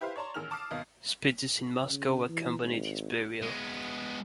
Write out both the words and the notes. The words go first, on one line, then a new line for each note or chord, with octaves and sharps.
Speeches in Moscow accompanied his burial.
E4 G4 B4 C5 F5
C#5 D5 A5 A#5 C6
A1 D#3 G#4 E6 F6 F7
A5 D6 D#6 F6 C7
G#1 D#2 B2 D#5 F5
C#3
E3
G#1
G#3 B3